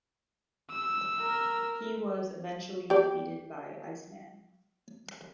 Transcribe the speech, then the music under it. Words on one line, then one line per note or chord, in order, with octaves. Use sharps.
He was eventually defeated by Iceman.
E6
A#4
G4 D5